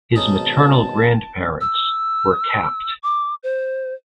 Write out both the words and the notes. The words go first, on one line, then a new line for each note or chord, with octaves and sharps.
His maternal grandparents were Capt.
G#1 B2 C#4 D#4 G#4 A5
E6
D6
C5